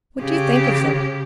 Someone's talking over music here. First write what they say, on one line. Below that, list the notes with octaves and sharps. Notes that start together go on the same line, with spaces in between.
What do you think of them?
C#3 G4